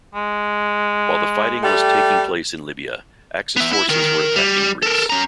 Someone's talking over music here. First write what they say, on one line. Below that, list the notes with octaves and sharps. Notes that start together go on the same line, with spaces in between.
While the fighting was taking place in Libya, Axis forces were attacking Greece.
G#3
G3 A3 G4
B3 E5
E4
D#3 A#4
G3
A4 A#4
C#4 A#5